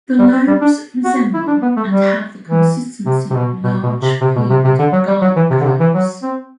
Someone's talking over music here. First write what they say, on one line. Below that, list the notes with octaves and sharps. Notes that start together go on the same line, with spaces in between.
The lobes resemble, and have the consistency of, large peeled garlic cloves.
G3
C4
G3
D4
F#4
E4
D4
B3
A3
G3
E3
C3
C3
B2
B2
B2
C3
C3
B2
C3
C3
D3
F#3
G3
F#3
E3
C3
D3
C3
E3
F#3
C4